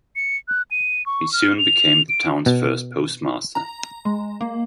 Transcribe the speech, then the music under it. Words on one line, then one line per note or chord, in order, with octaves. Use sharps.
He soon became the town's first postmaster.
C#7
F#6
D#7
C#6
F6
F7
D7
B2
A#5
G#3
A#3